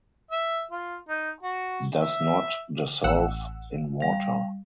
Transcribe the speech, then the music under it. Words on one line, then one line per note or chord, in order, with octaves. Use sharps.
Does not dissolve in water.
E5
F4
D#4
F#4
E5
A1 F#5 E6
G3 F5